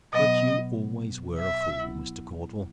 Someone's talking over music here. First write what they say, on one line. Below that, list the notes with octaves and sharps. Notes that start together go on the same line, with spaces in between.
But you always were a fool, Mr. Caudle!
B2 F#3 B3 D#5
E5
F#3 B3 E4